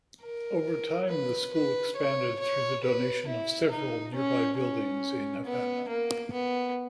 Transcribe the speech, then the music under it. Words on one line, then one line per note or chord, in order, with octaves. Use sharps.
Over time, the school expanded through the donation of several nearby buildings in Havana.
A#4
B4
B4
C#5
C#5
B4
E4
D#4
C#4
C#4
B3
A#3
B3